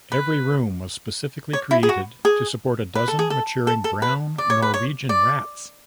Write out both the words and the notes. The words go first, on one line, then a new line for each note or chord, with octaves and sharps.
Every room was specifically created to support a dozen matured brown Norwegian rats.
B4
C#5
E4
G#4
F#4
G#4
B4
A4
G#4
A4
A4
A4
B4
D5
C#5
B4
C#5
D5